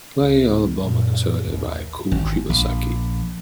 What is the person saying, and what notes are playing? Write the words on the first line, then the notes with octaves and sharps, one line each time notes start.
Play Alabama Concerto by Kou Shibasaki.
C#2
F#2 A#2
A1 D#2
G#1
A#1